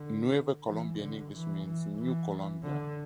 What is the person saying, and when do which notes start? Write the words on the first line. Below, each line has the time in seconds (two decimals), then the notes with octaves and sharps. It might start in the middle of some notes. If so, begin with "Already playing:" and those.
Nueva Colombia, in English, means "New Colombia".
Already playing: D3
0.67 E3
0.99 D3
1.32 E3
1.64 E3
1.98 E3
2.63 D3